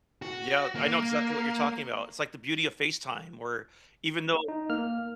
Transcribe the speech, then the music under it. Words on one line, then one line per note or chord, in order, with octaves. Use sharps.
Yeah, I know exactly what you're talking about. It's like the beauty of FaceTime, where even though
F#4
A#3
D#4
A#3 F6